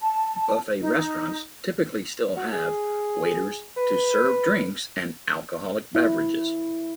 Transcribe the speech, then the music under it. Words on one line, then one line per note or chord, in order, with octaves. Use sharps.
Buffet restaurants typically still have waiters to serve drinks and alcoholic beverages.
A5
D#4
F#4
G#4
B4
E4